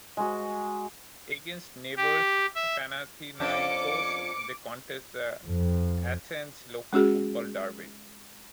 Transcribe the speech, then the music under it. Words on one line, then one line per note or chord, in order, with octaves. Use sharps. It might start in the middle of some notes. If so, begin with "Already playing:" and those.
Against neighbours Panathinaikos, they contest the Athens local football derby.
G#3 F#4
G4
E5
F2 C#4 D4 D6 C#7
F2
G#3 C#4 F#4 G#4